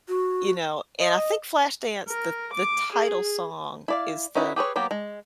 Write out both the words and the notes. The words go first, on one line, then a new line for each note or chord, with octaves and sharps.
you know, and I think "Flashdance," the the title song, is the
F#4
D#5
A#4
D6
G#4
E4 D5 F5
C#4 D#4 E4 F#4 B4
G4 G#4 B4 C#5
F#3 A#3 B3 G4
G#3